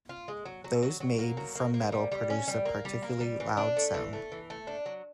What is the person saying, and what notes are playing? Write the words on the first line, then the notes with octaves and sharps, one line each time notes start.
Those made from metal produce a particularly loud sound.
F4
G#3
F#3
F#3
F#3
F#3
A#3
F#3
A#3
A#3
G3
G3
C#4
G3
A#3
G3
A#3
G3
E3
D4
A3
E3
A3
E3
A3
D4
F#3